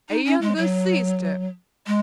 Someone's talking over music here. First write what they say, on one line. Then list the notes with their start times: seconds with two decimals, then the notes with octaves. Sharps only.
A younger sister!
0.10 D#4
0.25 C#4
0.41 G#3
0.57 F#3
1.87 G#3